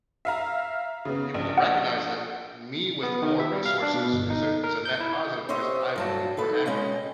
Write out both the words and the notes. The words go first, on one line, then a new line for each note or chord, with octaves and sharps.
people to recognize that me with more resources is a is a net positive because I would be more active
E5 F5 A#5
C#3 B3
A#1
F#5
B3
D#3
E5
G3
F5
D4
B2
G1
D#4
A#4
G6
E4
G4 C5 C#5 D#5 E5
G2 F#3 A5
D#4 A4 B4
G#3 C#4 D#5 G5